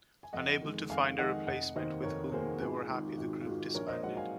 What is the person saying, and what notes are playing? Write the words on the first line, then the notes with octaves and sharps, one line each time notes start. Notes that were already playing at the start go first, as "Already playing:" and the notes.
Unable to find a replacement with whom they were happy the group disbanded.
G#5
F2 D#5 F#5
D#3 G#3
F2 F5 G#5
D#3 G#3 D#5 F#5
F1 D#5 F#5
D#2 D#3 A#3 C5 D#5
F1 A#4 C#5
D#2 D#3 A#3 G#4 C5
G#1 F4 G#4
G#2 D#3
F4
G#1 F#4
F4
G#2 D#3 F#4
A#1 A#4 C#5
C5 D#5
G#2 F#3 D#5 F#5
F5 G#5